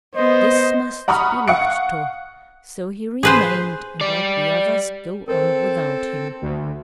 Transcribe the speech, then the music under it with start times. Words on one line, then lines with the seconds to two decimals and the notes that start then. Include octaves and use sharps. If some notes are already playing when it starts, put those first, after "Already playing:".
"This must be looked to." So he remained, and let the others go on without him.
0.15 B3 C5 D#5
1.08 F#5 A#5 B5 C#6 D#6 F6
1.48 F5 F#5 C#6 F#6 C#7
3.23 G#4 B4 C5
4.01 G3 D5
5.28 C4 A4 A#4 C5
6.42 D2